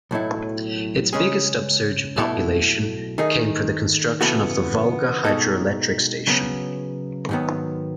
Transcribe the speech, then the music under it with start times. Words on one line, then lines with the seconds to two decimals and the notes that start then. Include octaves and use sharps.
Its biggest upsurge of population came for the construction of the Volga Hydroelectric Station.
0.11 B1 A2 F#3 A3 E4
1.13 C#3 G#3 C#4 G#4
2.16 B1 B2 A3 E4 A4
3.18 D#3 A3 D#4 G#4
4.21 C#3 E3 B3 F#4 A4
5.25 B2 G#3 D#4 A4
6.27 C#3 F#3 B3
7.29 G#2 D#3 F#3 B3